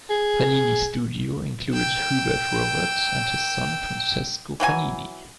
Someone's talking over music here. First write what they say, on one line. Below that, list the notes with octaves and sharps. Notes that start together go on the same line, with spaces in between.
Panini's studio included Hubert Robert and his son Francesco Panini.
G#4
G5 E6
E3 F#3 F#4 G#5